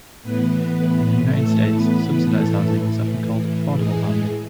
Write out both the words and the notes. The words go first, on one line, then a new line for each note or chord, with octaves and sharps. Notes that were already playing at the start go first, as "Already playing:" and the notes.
In the United States, subsidized housing is often called affordable housing.
A2 E3 B3 B4
A3 A4
B3 B4
A2 E3 A3 A4
G#3 G#4